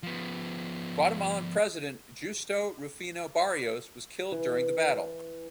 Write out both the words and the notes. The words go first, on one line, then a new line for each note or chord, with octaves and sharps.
Guatemalan President Justo Rufino Barrios was killed during the battle.
F3 B3
E3